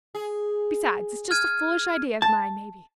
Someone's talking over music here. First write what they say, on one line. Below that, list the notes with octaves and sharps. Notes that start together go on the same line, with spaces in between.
Besides it's just a foolish idea of mine, maybe.
G#4
F6 G#6 D#7
A5